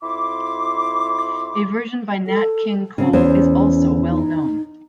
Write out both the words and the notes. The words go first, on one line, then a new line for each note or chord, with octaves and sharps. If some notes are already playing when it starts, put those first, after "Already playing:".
A version by Nat King Cole is also well known.
F2 E4 C6 D6
A4
C#3 C4 C#4
E2 C5 C#5
D#4